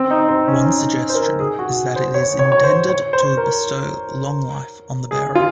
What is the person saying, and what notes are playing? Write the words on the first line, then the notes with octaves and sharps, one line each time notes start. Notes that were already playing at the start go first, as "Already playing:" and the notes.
One suggestion is that it is intended to bestow long life on the bearer.
Already playing: C4
D#4
C4
C#4
D#4
C5
A#4
G#4
F#4
C5
C#5
C#5
C#5
C5
C#5
C5
A#4
G#4
F4